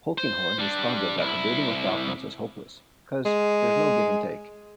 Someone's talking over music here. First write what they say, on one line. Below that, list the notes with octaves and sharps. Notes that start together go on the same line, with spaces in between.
Polkinghorne responded that debating with Dawkins is hopeless, because there's no give and take.
C5
G3 D4
C2 E4
G#3